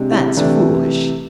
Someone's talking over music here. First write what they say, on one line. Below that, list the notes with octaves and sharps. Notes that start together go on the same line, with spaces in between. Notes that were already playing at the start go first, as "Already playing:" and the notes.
"That's foolish."
Already playing: C3 G#3 D4
E4
C3 E3 A3 D4